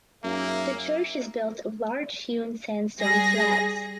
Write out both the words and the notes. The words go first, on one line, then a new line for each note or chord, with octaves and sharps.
The church is built of large hewn sandstone slabs.
F#2 A#3 D#4 G#4 E5
G3 G#4 A#6